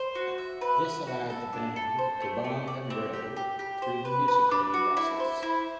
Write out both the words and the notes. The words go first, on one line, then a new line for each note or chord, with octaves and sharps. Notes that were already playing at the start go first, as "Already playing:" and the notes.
This allowed the band to bond and grow through the music writing process.
Already playing: C5
F#4
E5
B4
E5
F#4
A4
D4
A4
C5
A3
A3
D5
C4
G4
G4
G4
C5
B4
B4
D4
F#4
E4
C5
E4